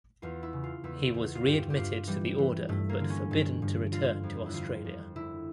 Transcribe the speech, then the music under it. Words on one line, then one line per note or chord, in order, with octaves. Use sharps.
He was readmitted to the order but forbidden to return to Australia.
E2 F4
E4
C#3
F4
E2 E4
E2
F4
G2 G4
G4
G2 F4
E3 G3
E3
G2 A3
A#3
D3
C#4
G2
G2
D3 F4
F2
E4
D3 F4
F2
D3 E4